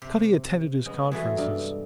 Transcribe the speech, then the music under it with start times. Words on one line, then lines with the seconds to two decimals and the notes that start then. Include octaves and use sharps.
Cutty attended his conferences.
0.02 C3
0.86 G#3 B3 C#4
1.11 E3 G#3 A3 B3 F#4 G#4
1.37 G2 G3 D#4